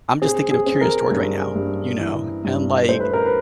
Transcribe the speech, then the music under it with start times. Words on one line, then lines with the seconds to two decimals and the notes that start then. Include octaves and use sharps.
I'm just thinking of Curious George right now, you know, and, like,
0.22 C4 G#4
0.51 G#4
0.66 C4
0.81 A#4
1.11 G2
1.55 G2
1.99 E3
2.44 G2
2.88 A3 C5
3.00 B4
3.14 A#4
3.26 B4